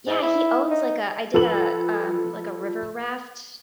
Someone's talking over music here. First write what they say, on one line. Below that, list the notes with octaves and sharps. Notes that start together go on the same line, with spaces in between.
Yeah, he owns like a I did a um, like, a river-raft,
G#2
E4
D#4
F3 A4 B4 F#7